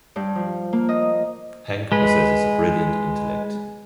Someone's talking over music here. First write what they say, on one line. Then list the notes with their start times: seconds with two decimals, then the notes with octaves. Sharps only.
Hank possesses a brilliant intellect.
0.16 G2
0.35 F3
0.73 A#3
0.89 D#5
1.92 G#3 B4